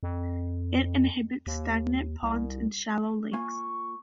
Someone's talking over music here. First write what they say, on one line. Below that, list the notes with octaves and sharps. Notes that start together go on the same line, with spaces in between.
It inhabits stagnant ponds and shallow lakes.
F2
D#2
C2
A#3 F4 G#5 C#6